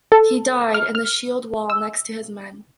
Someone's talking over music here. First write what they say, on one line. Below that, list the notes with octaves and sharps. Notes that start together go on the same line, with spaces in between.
He died in the shield wall next to his men.
A4
F6
F6
E6